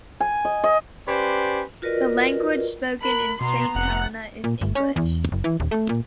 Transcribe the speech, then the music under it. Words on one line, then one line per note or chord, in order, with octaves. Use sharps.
The language spoken in Saint Helena is English.
G#5
D#5
D#5
C#4 G4 B4 C5 D5
F4 F#4 A#4 B4 D5 D#5
A#4 B5 F#6
B2 B3 A#5 C6
F1 F#5
A#2
G1
C#4
E2
F#1
E3
D#1
A3
A#2